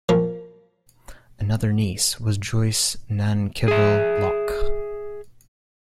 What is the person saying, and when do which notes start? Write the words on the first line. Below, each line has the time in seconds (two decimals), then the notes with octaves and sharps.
Another niece was Joice NanKivell Loch.
0.09 F3 A#3
3.68 G#4 E5